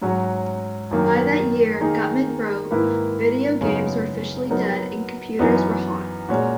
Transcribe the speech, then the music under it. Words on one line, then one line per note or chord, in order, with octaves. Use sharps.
By that year, Gutman wrote, "Video games were officially dead and computers were hot".
G#2 F#3 C#4 F#4
F#2 D#3 A#3
D#3 A#3 D#4 G#4
G#2 D#3 A#3 E4 B4
F#2 C#3 G#3 B3 D#4
F#3 B3 D#4 A#4
F#2 E3 B3 D#4
A#2 G#3 C#4 F#4